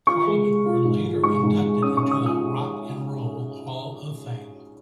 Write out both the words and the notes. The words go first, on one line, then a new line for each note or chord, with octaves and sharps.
Parliament were later inducted into the Rock and Roll Hall of Fame.
F4 C#6
G#3
G#3
F4
G#2
F4
G#2 C#6
G#2
G#2
C#4 D#6
C#4 C#6
D#6
F4
D#6